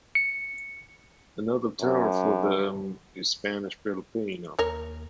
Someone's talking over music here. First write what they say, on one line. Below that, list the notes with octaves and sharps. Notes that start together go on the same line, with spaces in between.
Another term for them is Spanish Filipino.
C#7
F#2
D#2 A#4 C#5